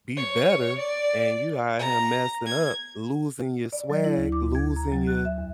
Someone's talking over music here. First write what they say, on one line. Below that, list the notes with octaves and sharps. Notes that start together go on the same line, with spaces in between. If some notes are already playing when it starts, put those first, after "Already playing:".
be better, and you out here messing up, losing your swag, losing your
C#5
D5
A#5
G#6
D5
F#3
E4
D2
D6
G#6
A#5
F#3
F#6
E5
E2